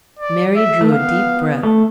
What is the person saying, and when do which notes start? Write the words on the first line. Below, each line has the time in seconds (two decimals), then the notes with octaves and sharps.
Mary drew a deep breath.
0.19 D5
0.56 E5
0.81 A3
0.92 B3 F5
1.63 A3